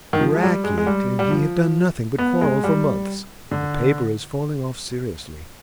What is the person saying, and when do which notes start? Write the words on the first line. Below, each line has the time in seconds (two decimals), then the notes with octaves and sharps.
'Rackett and he have done nothing but quarrel for months; the paper is falling off seriously.
0.13 D#3
0.21 F3
0.35 G#3
0.43 G3
0.64 G#3
0.78 G#3
0.87 G3
1.19 G3
1.31 F3
2.18 B3
2.41 G#3
2.64 G3
3.51 D3